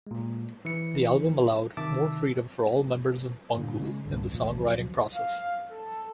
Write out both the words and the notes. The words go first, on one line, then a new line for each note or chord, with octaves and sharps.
The album allowed more freedom for all members of Bungle in the songwriting process.
A#2 G#3
E3 E4 C#7
C3 D#3 E5 A5 D6 E6
G2 A#2 D3
C#3 G3 G#3
C2 G2 D3
E2 A#2 D3 F3
A1 D2
D2 F3 F#3
F5
A4